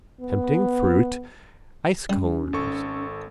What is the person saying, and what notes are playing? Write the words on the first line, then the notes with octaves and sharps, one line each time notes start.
Tempting fruit. Ice cones.
B3
G3 C#4
G#1 A4 C#6